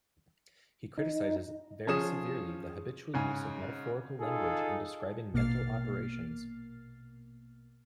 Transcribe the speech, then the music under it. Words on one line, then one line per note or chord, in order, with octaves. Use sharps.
He criticizes very severely the habitual use of metaphorical language in describing mental operations.
D#4
F3 C#4 G#4 D#6 E7
G#2 C#3 G#5
D#4 F4 G#4 A4
A#1 B2 A#3 F6 A6 C7